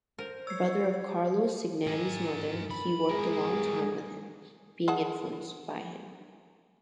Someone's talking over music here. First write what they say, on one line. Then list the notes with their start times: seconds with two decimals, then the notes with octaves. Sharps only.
Brother of Carlo Cignani’s mother, he worked a long time with him, being influenced by him.
0.19 A#4 C5
0.47 C#5 E6 C7
1.87 A#4 G#5
2.70 B5
3.09 G#3 G#4 A#4
4.88 G#4 F#5 A5